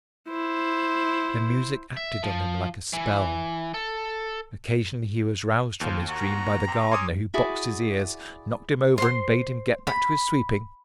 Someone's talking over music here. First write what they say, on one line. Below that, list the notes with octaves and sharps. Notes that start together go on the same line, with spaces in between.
The music acted on him like a spell. Occasionally he was roused from his dream by the gardener, who boxed his ears, knocked him over, and bade him get back to his sweeping.
E4 C5
E5
F3
E3
A4
D#2 F3
F#4 A#5
C3
C#4 C6 D6 D#6
E4 F#4 G#4 D5
C5 C6
B5